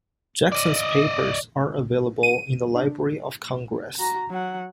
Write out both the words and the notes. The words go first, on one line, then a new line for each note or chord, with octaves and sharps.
Jackson's papers are available in the Library of Congress.
D5 D#5
D#7
D4
F#4 A#5
F#3 F#5